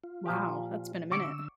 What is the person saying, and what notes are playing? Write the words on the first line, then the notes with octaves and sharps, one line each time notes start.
Wow, that's been a minute.
F4
A#2 F3 G4
D3 C#6 D6 E6